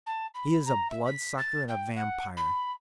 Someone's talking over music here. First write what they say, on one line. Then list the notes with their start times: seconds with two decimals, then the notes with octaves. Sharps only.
He is a bloodsucker and a vampire.
0.06 A5
0.34 B5
0.66 A#5
0.90 E5
1.05 B6
1.38 A6
1.68 G5
1.96 F#5
2.37 B5